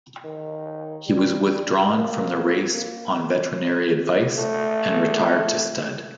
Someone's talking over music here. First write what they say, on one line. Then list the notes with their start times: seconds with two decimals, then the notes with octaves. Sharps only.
He was withdrawn from the race on veterinary advice and retired to stud.
0.25 D#3
1.07 G3
1.89 A#3
2.72 A#3
4.37 A3